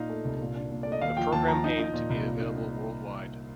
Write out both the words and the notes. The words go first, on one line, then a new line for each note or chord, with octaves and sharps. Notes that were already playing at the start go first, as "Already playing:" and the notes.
The program aimed to be available worldwide.
Already playing: A#2 D#4 F5
A3
C2
A#2
D4
A#2
A3 D5
D#5
D#2 F5
F3 G5
D#2 A5
F3 A#5
D#4
D#4
A#2
C2
A#2
D#4
D#4